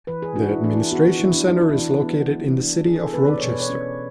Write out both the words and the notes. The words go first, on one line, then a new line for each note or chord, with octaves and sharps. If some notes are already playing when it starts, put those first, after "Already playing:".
The Administration Center is located in the city of Rochester.
E3 B4
G#4
D4 F#4
E4
E3 D4
E4
B3 F#4
F#4
E3 E4
D4
D4 E4
E4
D4
E3 E4
B3
E3
D4
E3 G#4
G#4
A4
B3 B4
D5
B2 C#5
B4
C#5
C#4